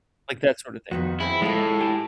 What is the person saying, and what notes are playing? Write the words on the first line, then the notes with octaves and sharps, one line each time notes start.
like, that sorta thing,
F2 D#3 B3 F#4
C4 E4 G#4
A2 G#3 F4 A4
E4 G4 G#5